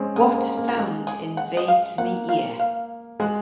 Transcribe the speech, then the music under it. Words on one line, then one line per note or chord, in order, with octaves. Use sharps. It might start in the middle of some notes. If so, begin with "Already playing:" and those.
What sound invades me ear?
Already playing: G#3 C4 C#4
A#3 G#4
C4
A#3
F4
G#3 F#4
G#4
F#5
D#5
F5
A#3 F#5
F5
F5
G#3 F#4